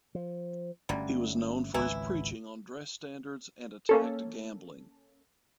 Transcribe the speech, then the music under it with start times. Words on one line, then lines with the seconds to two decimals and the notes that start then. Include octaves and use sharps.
He was known for his preaching on dress standards and attacked gambling.
0.15 F3
0.89 G1 D3 F#3 G3 A3 C#4
1.74 G#1 C#2 E3 F#3 E4
3.89 A#3 C#4 A4